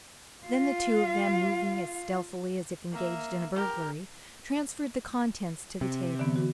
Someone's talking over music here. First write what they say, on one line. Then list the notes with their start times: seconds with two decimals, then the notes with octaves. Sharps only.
Then the two of them, moving as stealthily as if engaged in a burglary, transferred the contents to the table.
0.47 F4 F5
2.92 A#3 E5
3.55 G4 A#4
5.81 C3
6.19 D3 E3 B3
6.36 F#4